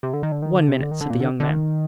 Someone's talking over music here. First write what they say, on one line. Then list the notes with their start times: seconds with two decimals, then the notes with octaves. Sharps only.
"One minute," said the young man.
0.03 C3
0.13 D3
0.23 D#3
0.32 D3
0.42 D#3
0.55 D3
0.68 C3
0.82 D3
0.91 D#3
1.01 D3
1.10 A#2
1.20 D3
1.40 D3
1.49 D#3